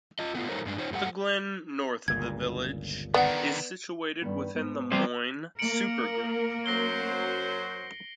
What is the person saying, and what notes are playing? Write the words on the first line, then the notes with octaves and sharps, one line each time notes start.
The glen north of the village is situated within the Moine Supergroup.
F4 D#5
A3 B3 E4 F4
G3 D#4 A4 A#4 C5 C#5
G2 G#3 C#4 D4
D#4 C5 C#5
F#2 G3 A3 F#5
G1 C#2 A#2 G#6
D3 D#3 B3 D5 F#5
G2 D#3 B3
G#2 B3
E3 F3 G3 C4 C5
A#3 A#4 C#7 D7 F#7
F#2 F#3 C5 A#6 C7 G7